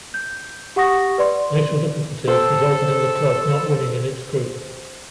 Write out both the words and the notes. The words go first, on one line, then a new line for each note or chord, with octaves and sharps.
Initial difficulties resulted in the club not winning in its group.
G6
G4 F#5 C#6 D#6 A#6
B4 D5 C6
A4 C5 G5